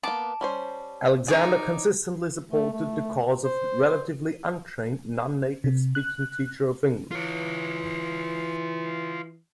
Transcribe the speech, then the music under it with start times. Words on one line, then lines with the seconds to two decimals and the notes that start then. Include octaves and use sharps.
Alexander consistently supported the cause of the relatively untrained non-native speaking teacher of English.
0.03 A#3 B3 A5 D6
0.41 G3 C#4 C5
1.28 D#4 G#4 C#5 D5
2.51 A3
2.73 A3
3.44 C5
5.64 C3
5.95 F#6
7.11 E3 F4 C#5